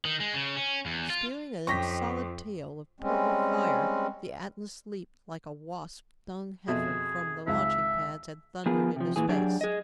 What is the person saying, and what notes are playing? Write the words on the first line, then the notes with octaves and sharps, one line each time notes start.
Spewing a solid tail of purple fire, the Atlas leaped like a wasp-stung heifer from the launching pads and thundered into space.
D#3
G#3
C#3
C#4
E2
F4
F2 C#4 D#4 G4 C#6 A#6 B6
G3 G#3 C4 C#4
F2 B2 G#4 E5
G#1 C#2 E5 F5
F3 B3 F4 G#4 A#4
C3 F3
A#2 E3 G#4
F#3 D4 G4 G#4 D5
G#4 D#5